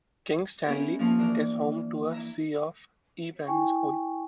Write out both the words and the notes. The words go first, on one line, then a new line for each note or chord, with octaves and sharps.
King's Stanley is home to a C of E Primary School.
B3 C#4 E4 G4 G#4 A#4
F3 A3 A#3 C4 F4
E3 D4 A#4
E4 E5 A#5
E4 G5 G#5 C#6